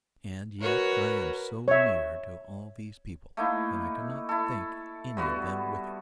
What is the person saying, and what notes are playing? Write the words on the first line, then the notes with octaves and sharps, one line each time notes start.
And yet I am so near to all these people that I cannot think any of them wicked.
F#4 A#4 B4 C#5
C#5 E5
A3 A#3 D#4 E4
E4 A4
G2 B3 F#4